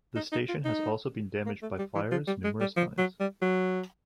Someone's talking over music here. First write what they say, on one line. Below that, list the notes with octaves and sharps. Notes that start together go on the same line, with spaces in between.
The station has also been damaged by fires numerous times.
D#4
D#4
F4
D#4
A#3
A3
G3
E3
F3
G3
G#3
G3
F3
F#3
G3
F#3